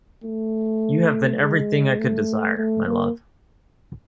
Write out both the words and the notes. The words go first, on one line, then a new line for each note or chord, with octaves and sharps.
You have been everything I could desire, my love.
A3
G#3
A3
A3
A#3